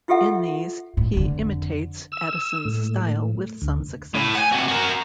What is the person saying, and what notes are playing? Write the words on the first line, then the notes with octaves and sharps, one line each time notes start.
In these he imitates Addison's style with some success.
E4 F4 G4 A4 E5 F#5
A2
F2 D3
E6
A2
D2
A2
F#5 G#5
C3 F#4
F#4 A#4